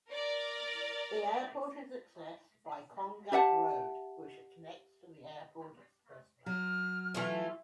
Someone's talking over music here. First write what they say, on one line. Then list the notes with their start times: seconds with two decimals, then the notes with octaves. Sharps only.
The airport is accessed by Konggang Road, which connects to the Airport Expressway.
0.12 A#4 D5
3.32 G4 E5 F#5 A5
6.46 F#3 F6
7.15 E3 A3 F4